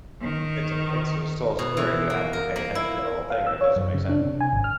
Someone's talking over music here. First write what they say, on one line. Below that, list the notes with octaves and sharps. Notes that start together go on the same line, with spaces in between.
it's a b it's a soul story. You have to pay attention to the whole thing or it doesn't make sense.
D#3
B2
E3
A#3
A#4
A#3
E4
F5
E6
C#5
F#2
C#3
D4
C3
G#5
G#1
F6